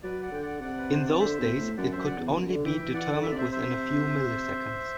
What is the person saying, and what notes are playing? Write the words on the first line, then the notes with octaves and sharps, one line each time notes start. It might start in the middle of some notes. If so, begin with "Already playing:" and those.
In those days it could only be determined within a few milliseconds.
F#3 B4 D5
D5 F#5
D3 G5
D5 F#5
C3 D5 F#5
B4
C5
D5
D3 C5 E5
B2
A2
F#2 D5 F#5
F#2 C5 E5
D5 F#5
E2
F#2
D3
E3 E5 G5
E3
E3 D5 F#5
D3
E5
D3
C3 D5
C5 E5
C5 E5